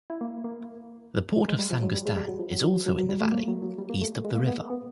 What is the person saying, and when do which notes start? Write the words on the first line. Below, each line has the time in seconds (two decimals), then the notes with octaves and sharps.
The port of Saint-Goustan is also in the valley, east of the River.
0.10 E4
0.21 A#3
0.44 A#3
1.48 G#3
1.59 G3
1.70 F3
1.83 F#3
1.94 G3
2.05 G#3
2.16 G3
2.28 F#3
2.39 F3
2.52 F#3
2.63 F3
2.74 F#3
2.86 F#3
2.98 F#3
3.09 G3
3.20 A3
3.32 A#3
3.48 F#3
3.62 F#3
3.78 G3
3.90 A#3
4.01 A3
4.24 G#3
4.35 A#3
4.47 B3
4.70 B3